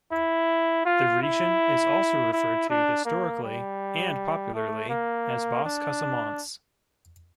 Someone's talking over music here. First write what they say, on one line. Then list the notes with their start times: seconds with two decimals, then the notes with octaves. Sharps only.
The region is also referred to historically and popularly as Basse Casamance.
0.12 E4
0.86 F4
1.23 E4
2.33 E4
2.70 D4
3.05 A#3
3.43 G3
4.54 A3
4.89 A#3
5.64 D4